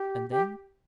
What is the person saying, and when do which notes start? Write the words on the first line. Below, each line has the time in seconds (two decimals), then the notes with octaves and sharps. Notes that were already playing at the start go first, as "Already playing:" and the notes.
"And then?"
Already playing: G4
0.30 G4